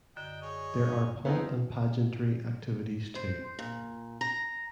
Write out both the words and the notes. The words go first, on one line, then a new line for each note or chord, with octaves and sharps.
There are pomp and pageantry activities too.
F#2 D3 D#5 G5
G#4 C#5 D#5
B3 C4 D#4 E4 G#4 F5 A#5
C5
A#2
A#5